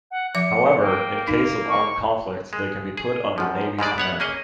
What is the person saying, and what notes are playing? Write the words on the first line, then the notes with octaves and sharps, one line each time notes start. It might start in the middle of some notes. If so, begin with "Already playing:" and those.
However, in case of armed conflict, they can be put under Navy's command.
F#5
F3 E5 D6 C#7
A#3 G5
D#4 F5
C#6
G#3
G#4
F#2 F3
G#2 G3 G#3 D5
B3 C#5 F#5
A#3 C#4 G#4 D#5